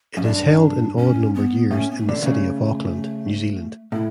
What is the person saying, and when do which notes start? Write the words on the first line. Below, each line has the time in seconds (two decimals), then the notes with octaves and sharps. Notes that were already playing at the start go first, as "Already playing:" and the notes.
It is held in odd numbered years in the city of Auckland, New Zealand.
0.15 F#2 C#4
0.23 G2 D4
0.97 C#4
1.34 B3
1.71 A2 C#4
1.91 B3
1.96 A3
2.09 D3
2.20 D3 A3
2.26 C#3
3.92 A2 E4